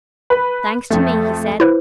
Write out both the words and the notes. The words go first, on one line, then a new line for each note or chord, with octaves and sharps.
"Thanks to me," he said.
B4
F2 A3
E4 B4 C5